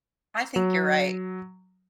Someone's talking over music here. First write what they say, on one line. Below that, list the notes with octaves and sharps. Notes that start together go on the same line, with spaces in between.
I think you're right.
F#3